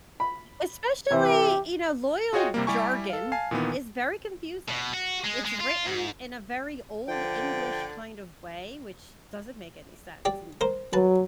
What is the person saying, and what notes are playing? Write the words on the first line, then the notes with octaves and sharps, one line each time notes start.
Especially, you know, loyal jargon is very confusing, it's written in a very old English kind of way, which doesn't make any sense in
B5
C3 E3 G4
F4 F#4 G#4 C#5 D#5 G5
C3 G3 A#3
G3 E4 G4 G#5 C#6
A4 F5
F5 G#5 A5 C7
A#2 D#3 E3 B3
B2
F#4
G#3
G#3
F4
G#2
D3 F3 G5
G4 D5
A#4 C5
F#3 B4 A5